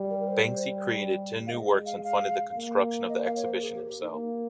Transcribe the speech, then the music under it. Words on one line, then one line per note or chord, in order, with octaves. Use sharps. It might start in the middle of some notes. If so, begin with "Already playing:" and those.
Banksy created ten new works and funded the construction of the exhibition himself.
Already playing: G3
A#4
A#4
C5
G3
F5
G#3 D#5
D#5
F5
F5
A#3
D#5
F5
C#5
C5
G#4
G4
G4
D#4
A#3